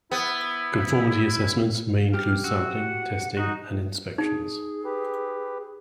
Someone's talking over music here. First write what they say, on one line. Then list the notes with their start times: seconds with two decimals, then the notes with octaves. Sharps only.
Conformity assessments may include sampling, testing, and inspections.
0.12 B3 E4
2.13 G4 F6
2.44 F#4 E6
2.73 F#5
3.37 D#4 F#4
4.18 D#4 G#4
4.85 G4 B4